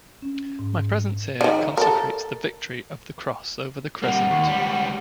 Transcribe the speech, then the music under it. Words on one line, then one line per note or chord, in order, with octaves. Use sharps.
My presence here consecrates the victory of the Cross over the Crescent.
C#4
G#2
D3 D#3
A4 A#4
G3 A#3 F#5
D#2
C#2 G3